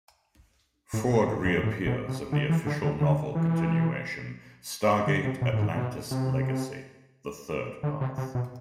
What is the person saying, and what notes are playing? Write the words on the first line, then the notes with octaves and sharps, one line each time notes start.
Ford reappears in the official novel continuation "Stargate Atlantis Legacy: The Third Path".
A2
B2
A2
F2
A2
B2
C3
D3
E3
D3
D3
D3
E3
D3
C3
B2
A2
G#2
B2
C3
D3
C3
C3
B2